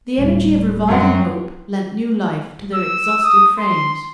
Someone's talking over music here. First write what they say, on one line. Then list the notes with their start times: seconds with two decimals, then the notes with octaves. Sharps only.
The energy of reviving hope lent new life to their exhausted frames.
0.18 D1 G3
0.88 F#2 F#3 C4 F#5
2.74 E6
3.23 D#6
3.59 C6